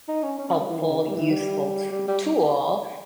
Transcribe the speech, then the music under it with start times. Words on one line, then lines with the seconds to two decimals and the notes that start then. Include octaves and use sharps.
helpful, useful too tool,
0.08 D#4
0.23 C#4
0.38 C#4
0.49 C#4
0.59 G3
0.70 E3
0.79 D#3
0.90 C#3
1.00 D#3
1.09 G3
1.16 E3
1.31 G3
1.91 G3
2.08 G3